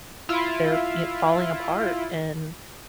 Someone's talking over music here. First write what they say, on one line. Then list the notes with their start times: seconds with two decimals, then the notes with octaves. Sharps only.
they're y falling apart, and
0.29 E4 F4